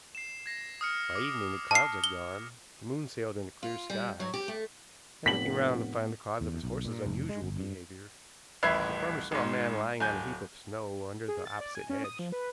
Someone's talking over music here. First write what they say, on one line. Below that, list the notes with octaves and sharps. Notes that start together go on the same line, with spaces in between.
By evening the clouds had gone, the moon sailed in a clear sky, and, looking round to find the cause of his horse's unusual behavior, the farmer saw a man lying on a heap of snow under the opposite hedge.
C7 E7
G#6 A#6 C7
D#6 F6 C#7
D6
A5 F6 C7
G7
F4
G3
F#3
G4
A3
F1 A2 B3 B6 F#7
E2
B1
A#2
F1
G#3
G1
G2
D#1 A1 B4 E5 G#6 C7
G#1 G#2
D1 G#5 G6
G#4
A6
D5
G#5
C#4
D#6
F3
B4